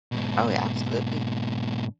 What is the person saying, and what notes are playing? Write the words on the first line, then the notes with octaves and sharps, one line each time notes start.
Oh, yeah, absolutely.
G#2 B2